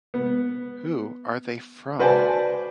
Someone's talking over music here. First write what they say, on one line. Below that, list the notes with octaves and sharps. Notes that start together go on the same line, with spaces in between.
Who are they from?
B3
F#4 B4 C5 D5 G#5 A5